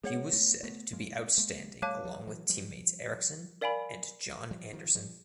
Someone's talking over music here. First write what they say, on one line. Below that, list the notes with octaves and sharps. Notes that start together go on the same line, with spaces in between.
He was said to be outstanding along with teammates Erickson and John Anderson.
G#3 A#3 G#4 C#5 F#5
A3 B3
A3 B3
G#3 A#3
G#3 A#3
G3 A3 C#5 F5 A5 D6 F#6
F3 G3
E3 F#3
F3 G3
A#4 D5 F5 G#5 B5
F3 G3
D#3 F3
F3 G3